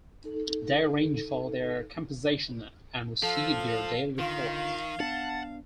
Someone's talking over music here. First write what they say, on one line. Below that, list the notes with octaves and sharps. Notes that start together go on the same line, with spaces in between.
Day arranged for their compensation and received their daily reports.
D#4 A4
F3 A4 F5
D3 D#3 F4 F5
B3 D4 F#5 A5